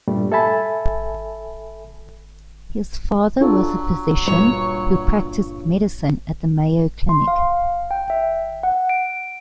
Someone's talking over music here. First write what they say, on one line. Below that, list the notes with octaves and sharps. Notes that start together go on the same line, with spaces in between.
His father was a physician who practiced medicine at the Mayo Clinic.
G2 A#2 G3 A3
A4 E5 G#5 A5 B5
F#3 D4 F4 A4
G2 A#2 C#5
C6
F5
G5
E5
F#5
D7